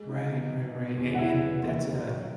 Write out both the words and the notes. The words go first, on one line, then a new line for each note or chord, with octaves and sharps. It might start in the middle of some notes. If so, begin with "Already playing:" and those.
Right, ri right an and that's a
Already playing: G#3
D#4
B2
B2
B2
E2
F#5
F#3 E4 E5
B3
D#2
D#3
F#3